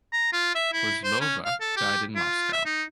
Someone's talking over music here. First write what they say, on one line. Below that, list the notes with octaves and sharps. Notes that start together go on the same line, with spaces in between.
Kozlova died in Moscow.
A#5
F4
E5
E4
C5
C#4
F5
A4
G4
F4
E5
D#4